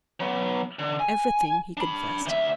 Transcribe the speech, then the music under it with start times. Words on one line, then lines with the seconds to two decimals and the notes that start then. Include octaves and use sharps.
"Everything," he confessed.
0.20 F#3 B3
0.79 D3
1.00 G#5
1.77 D4 B5
2.26 D2 E5